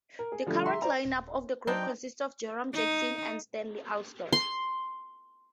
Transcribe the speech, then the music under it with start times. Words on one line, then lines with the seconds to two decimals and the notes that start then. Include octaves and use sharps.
The current line-up of the group consists of Jerome Jackson, and Stanley Alston.
0.19 A#4
0.32 G#4
0.47 D3 F3 G3 A3
0.66 E5 A#5 C6
0.82 C5 D5 A#5
1.05 D#1
1.67 F#3 C4 D4 D#4 G5
2.73 D#4
4.33 C6